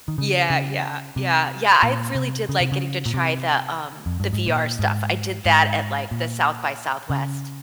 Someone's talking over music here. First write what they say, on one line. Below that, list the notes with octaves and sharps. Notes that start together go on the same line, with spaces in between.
Yeah, yeah, yeah, yeah. I really did like getting to try the, um the VR stuff. I did that at, like, the SXSW
D#3
C#3
C#3
C3
A#2
C3
C#3
C3
C#3
A#2
C3
F2
G2
G#2
A#2
G#2
G#2
A#2
C#3